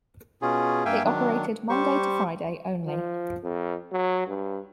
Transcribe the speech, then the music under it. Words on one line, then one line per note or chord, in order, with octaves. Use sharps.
They operated Monday to Friday only.
B2 C#4 F4 G#4
G2 A#3 E5 F5 G5 G#5
D#3 F#3 D4
G3 G4 C5 C#6
F3
F2
F#3
G2